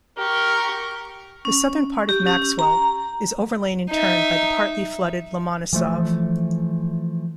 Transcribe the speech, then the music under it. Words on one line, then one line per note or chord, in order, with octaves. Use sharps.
The southern part of Maxwell is overlain in turn by the partly flooded Lomonosov.
G4 A#4 C#6
C#4
G4
C#4
A#5
D#4 E5
E3 F3 A3